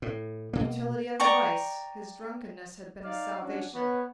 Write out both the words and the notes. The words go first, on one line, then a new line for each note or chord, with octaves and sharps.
Utility of a vice: his drunkenness had been his salvation.
A2
B2 A#3
D5 G5 A#5 C#6
D#4 D5 F5
C#4 D4 F#4
B3 C#5